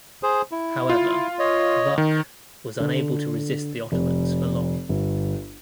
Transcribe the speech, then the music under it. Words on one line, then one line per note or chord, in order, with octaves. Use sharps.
However, Vuk was unable to resist the Ottomans for long.
G#4 C5
E4
F4
C#5 D#5
D#3
D3
F1
G1